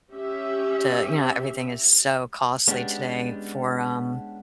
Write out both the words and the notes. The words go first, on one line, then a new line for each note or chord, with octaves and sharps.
to you know, everything is so costly today for, um,
C#4 G4 E5
G#3 B3 C#4 D4 G4